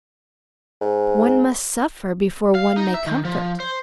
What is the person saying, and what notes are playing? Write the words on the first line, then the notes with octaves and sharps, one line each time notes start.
One must suffer before one may comfort.
G#2
F5
D#4
E5
D#3
F3
C5